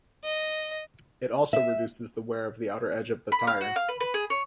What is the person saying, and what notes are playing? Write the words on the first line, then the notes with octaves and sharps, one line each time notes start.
It also reduces the wear of the outer edge of the tire.
D#5
E5
B5
F5
F#4
F5
B4
B4
G#4
C#5